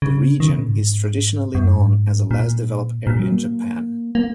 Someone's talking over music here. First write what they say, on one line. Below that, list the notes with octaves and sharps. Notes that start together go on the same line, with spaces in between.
The region is traditionally known as a less developed area of Japan.
C#3
D#3
C#3
A#2
G#2
F#2
G#2
A#2
A#2
F#3
A#3
A#3